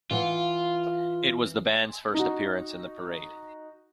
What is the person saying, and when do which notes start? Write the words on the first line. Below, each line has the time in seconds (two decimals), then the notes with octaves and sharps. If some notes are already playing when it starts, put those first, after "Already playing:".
It was the band's first appearance in the Parade.
0.11 E3 F4 F5 F#5
2.14 D#4 F#4